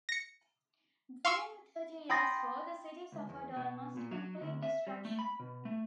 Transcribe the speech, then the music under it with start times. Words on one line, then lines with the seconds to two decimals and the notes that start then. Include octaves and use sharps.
During the Thirty Years' War the city suffered almost complete destruction.
0.09 A#6 C#7
1.25 F5 C6 C#6 E6
2.09 G5 B5 C6 D#6 A6 A#6
3.12 C#2
3.29 E2
3.56 B2
3.97 A#2
4.11 F#3
4.41 D2
4.63 E5
4.87 G3
5.05 A3
5.19 B5
5.40 B2
5.65 A3